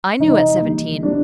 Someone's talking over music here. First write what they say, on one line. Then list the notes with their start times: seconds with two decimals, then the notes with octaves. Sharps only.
"I knew at seventeen."
0.20 C3 E3 G3 D#4
0.61 E3 G3 A#3
1.02 C4 D4 E4 G4